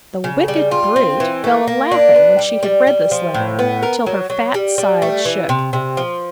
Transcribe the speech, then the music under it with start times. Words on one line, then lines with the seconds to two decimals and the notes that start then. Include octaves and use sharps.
The wicked brute fell a laughing, when she had read this letter, till her fat sides shook.
0.24 C#3
0.48 G3
0.71 F4
0.96 C4
1.20 E3
1.44 A3
1.67 A#3
1.91 D4
2.16 B3
2.39 G3
2.63 G3
2.87 G3
3.11 F3
3.34 A2
3.59 B3
3.83 A#4
4.06 F#3
4.30 F#3
4.54 G3
4.78 G3
5.02 A3
5.25 E3
5.49 C3
5.73 C3
5.97 F3